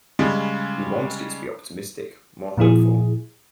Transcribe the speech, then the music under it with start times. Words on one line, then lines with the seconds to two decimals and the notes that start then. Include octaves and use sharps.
We wanted it to be optimistic, more hopeful.
0.19 C#3 G3 G#3
2.57 A#2 F3 E4 G#4